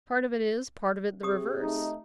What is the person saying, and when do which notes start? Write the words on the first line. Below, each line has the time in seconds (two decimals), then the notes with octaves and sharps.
"Part of it is, part of it the reverse."
1.23 C3 G4 G#4 D#6
1.60 A3 D#4